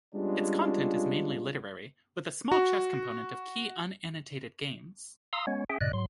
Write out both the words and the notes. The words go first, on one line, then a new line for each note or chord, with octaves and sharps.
Its content is mainly literary, with a small chess component of key unannotated games.
G3 G#3 B3 C#4 D4 F4
F#4
F5 A#5 C6 D#6 E6
G#3 B3 C#4 C#5
C#4 G#4 E5 G5
G2 A#2 C#3 D5 D#5 F#6
G#2 F#3 C6